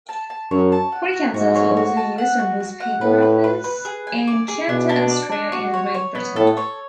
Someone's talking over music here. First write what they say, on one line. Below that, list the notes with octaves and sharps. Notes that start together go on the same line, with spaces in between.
Precancels were also used on newspaper wrappers in Canada, Austria and Great Britain.
A5
A5
F#2 C#5
A5
F#5
F#4
G#2 F#4
C#5
F#4
A5
F#5
F#4
F#4
F#5
A2 B4
B4
B4
B4
G#4
G#5
D5
G#4
B2 D4
D4
D5
D4
F#4
C#5
C#5
B3
A2 A4
C#5